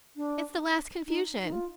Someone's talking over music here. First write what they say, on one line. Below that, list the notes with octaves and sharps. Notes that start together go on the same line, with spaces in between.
It's the last confusion.
D4
D#4
D#4
F4